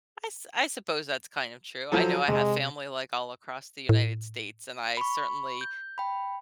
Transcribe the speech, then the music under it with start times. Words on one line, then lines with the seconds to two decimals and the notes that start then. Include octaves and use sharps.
I s I suppose that's kind of true, I know I have family, like, all across the United States and I certainly
1.92 F3 F#3 A4
2.28 C3 G#3
3.89 A2
4.97 B5 C#6
5.61 G6
5.98 G5 B5